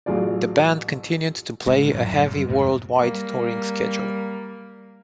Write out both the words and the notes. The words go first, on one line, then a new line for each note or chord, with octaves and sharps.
The band continued to play a heavy worldwide touring schedule.
A1 F#3 F4 G#4 D5
C#2 A2
F#2 A2 E3
F#2 A2 C3
F#2 G3
F2 G#2 C3 G3
G3 A#3